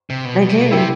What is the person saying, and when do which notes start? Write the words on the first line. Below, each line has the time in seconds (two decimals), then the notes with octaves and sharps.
They do.
0.10 C3
0.25 B2
0.41 B2
0.49 C3
0.57 B2
0.71 C3 E4 G4